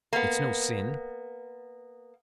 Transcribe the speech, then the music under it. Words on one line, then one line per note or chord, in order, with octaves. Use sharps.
It's no sin.
A#3 B3